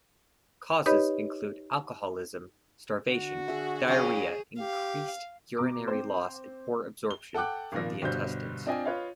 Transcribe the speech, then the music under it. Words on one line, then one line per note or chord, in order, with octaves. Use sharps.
Causes include alcoholism, starvation, diarrhea, increased urinary loss, and poor absorption from the intestines.
D#4 G4 B4 C#5 D#5 B5
D3 D4 F#4
G#4 E5
F2 C#4 G#4 C#5 G5
G4 F5
B2 A#5 D6
C4 C5
G7
A4 F#5 G5 D6 F#6
G#1 A#2 F3 A#6
G1 B2 G3 C5 G6
C4 D4 F4 D#5 G5 G#5
F4 B4 C#5 D#5 F5